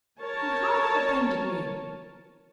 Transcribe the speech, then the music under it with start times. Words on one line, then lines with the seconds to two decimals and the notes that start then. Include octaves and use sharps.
"You have offended me."
0.21 A#4 C#5 A5